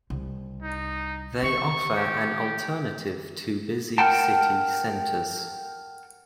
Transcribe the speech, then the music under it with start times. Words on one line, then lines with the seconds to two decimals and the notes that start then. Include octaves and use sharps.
They offer an alternative to busy city centres.
0.10 C2
0.63 D#4
1.43 D#3 C#6
1.96 G4
3.98 A#4 F#5 G5 A5